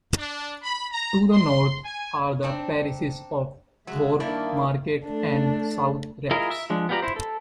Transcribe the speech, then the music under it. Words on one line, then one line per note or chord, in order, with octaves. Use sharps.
To the north are the parishes of Thorpe Market and Southrepps.
D4
B5
A#5
C6
G#5
C4 D4 D#4
C#3 F#3 G#3 E5
G2 D#3 A#3 D4 E4
A3 D4 A4
E4 F4 G#4 A#4 D#5
E5
F3 G#3 D4
B3 F4 G4 D5 A#5
E4 C5
A4